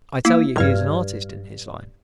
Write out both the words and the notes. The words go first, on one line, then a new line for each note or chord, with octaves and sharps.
I tell you he is an artist in his line.
A#3 E4
D1 G2 F6 G#6